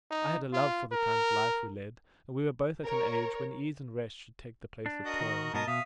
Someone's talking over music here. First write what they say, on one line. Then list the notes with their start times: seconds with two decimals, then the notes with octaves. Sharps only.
I had a love for the kind of life we led, and we were both at an age when ease and rest should take the place of toil.
0.11 D#4
0.53 F4
0.92 A#4
2.84 A#4 C#5
4.86 D4
5.05 F#4 A#4 D#5
5.20 D#3
5.54 G#2 B2 F#3 A#4 D#5 A5
5.67 B2 E5 F5 D#6